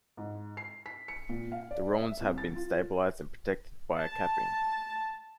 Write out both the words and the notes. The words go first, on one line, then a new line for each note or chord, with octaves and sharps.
The ruins have been stabilised and protected by a capping.
G#2
C7
B6
C#7
A#2
F5
D5
E5
C2
A6
F4
A5